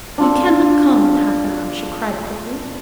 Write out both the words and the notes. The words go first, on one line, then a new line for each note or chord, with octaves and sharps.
"He cannot come in half an hour," she cried quickly.
D4 F4 A4